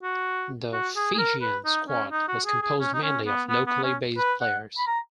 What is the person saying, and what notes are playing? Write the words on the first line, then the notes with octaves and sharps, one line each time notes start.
The Fijian squad was composed mainly of locally based players.
F#4
F#4
G#4
G#4
A#4
B4
D#4
C#4
D#4
F#4
G#4
G#4
C#4
D#4
C#4
B3
B3
B3
C#4
B4
F#5
B5
A#5